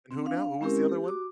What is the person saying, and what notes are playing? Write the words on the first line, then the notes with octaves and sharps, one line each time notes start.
And who now? Who was the other one?
C4
D4 F5
F5
G#3 C4 C#4 E4 G4 A#4
G4
F#4 D6